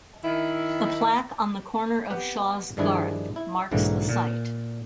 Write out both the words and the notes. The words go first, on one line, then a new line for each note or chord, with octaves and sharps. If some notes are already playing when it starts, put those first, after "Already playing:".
A plaque on the corner of Shaws Garth marks the site.
D#3 E4
B3 G4 B4
G2 D#3 F3 D4 E4 G#4
E4
B1 G#2 D3 E3 A#3
A#2